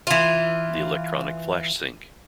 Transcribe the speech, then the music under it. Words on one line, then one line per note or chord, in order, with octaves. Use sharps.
The electronic flash sync.
E3 F4